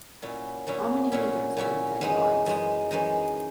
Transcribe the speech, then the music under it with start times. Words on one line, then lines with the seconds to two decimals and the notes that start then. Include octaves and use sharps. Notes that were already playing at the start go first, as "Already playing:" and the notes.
How many meters are in ten yards?
0.22 A#2 F#3 C#4 E4
0.67 A#2 F#3 C#4 E4
1.12 A#2 F#3 C#4 E4
1.57 A#2 F#3 C#4 E4
2.01 F#2 E3 G#3 D#4
2.46 F#2 E3 G#3 D#4
2.91 F#2 E3 G#3 D#4